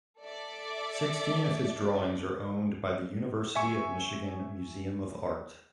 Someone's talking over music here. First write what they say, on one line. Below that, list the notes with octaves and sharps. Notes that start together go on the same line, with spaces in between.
Sixteen of his drawings are owned by the University of Michigan Museum of Art.
A4 D5 E5 D6
E5 G#5 C#6